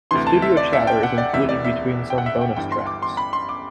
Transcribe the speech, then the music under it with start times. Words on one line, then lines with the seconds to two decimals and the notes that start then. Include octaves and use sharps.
Studio chatter is included between some bonus tracks.
0.11 D2 C3 E3 C6
0.27 A5
0.42 E5
0.57 D5
0.73 E5
0.87 G5
1.03 F#5
1.18 D5
1.33 E1 D2 C3 E3 E5
1.49 D5
1.65 E5
2.10 G5
2.18 F#5
2.26 E5
2.41 G5
2.56 G1 G2 E3 G5
2.72 C6
2.87 D6
3.02 C6
3.17 B5
3.33 C6
3.49 D6